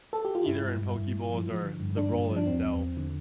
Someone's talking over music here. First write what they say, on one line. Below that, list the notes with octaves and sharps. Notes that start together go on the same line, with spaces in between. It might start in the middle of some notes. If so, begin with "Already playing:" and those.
either in poke bowls or the roll itself,
A4
G4
F4
G2 E4
G2
G2
G2
G2
F3
F3
D3
G2
G2 D4
G2
F3
D4
E2 C4
E2
E2
D3